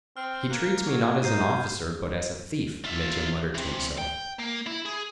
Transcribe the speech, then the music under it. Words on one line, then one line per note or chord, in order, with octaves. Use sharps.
"He treats me not as an officer but as a thief," Mitya muttered to himself.
C4 F6
A#3 F#6 G#6
F#3
D#4 G6 C7 D#7
F4 E5
E3 C4
G5
A#3
E4
G#4